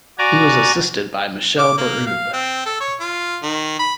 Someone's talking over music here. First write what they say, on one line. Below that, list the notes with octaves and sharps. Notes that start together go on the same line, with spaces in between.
He was assisted by Michelle Berube.
F#4 D5 G#5 A#5 D6
D6
A#3
F5
C4
A4
C#5
F4
D#3
B5